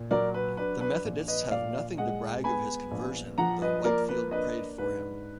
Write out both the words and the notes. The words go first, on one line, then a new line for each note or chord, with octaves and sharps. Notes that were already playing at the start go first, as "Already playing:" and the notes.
The Methodists have nothing to brag of his conversion, though Whitefield prayed for him.
Already playing: A#2
F#3 A#4 D5
B4
D4 B4
B4
A#1
B4 D#5
A#2 D5 F5
G#3 D#5 F#5
B3 G#5 B5
A#1
F3 F#5 A#5
B4 D#5
A#3 A#4 D5
B4
D4 B4 D#5
G#2 B4